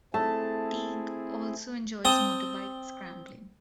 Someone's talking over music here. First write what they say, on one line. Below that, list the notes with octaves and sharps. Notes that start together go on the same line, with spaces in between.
Teague also enjoys motorbike scrambling.
A3 C4 E4 G#4 A5
C4 G5 A5 D#6